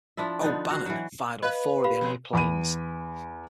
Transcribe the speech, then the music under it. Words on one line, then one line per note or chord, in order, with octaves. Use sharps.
"O'Bannon" fired on four of the enemy planes.
F3 D4 E4 E5
D3 F3 B3 D#4
F#4 F5
E3 F#3
B4 D#5 F5
G4 F5 B5
F2 A#2 G#3
E2 B5 D#7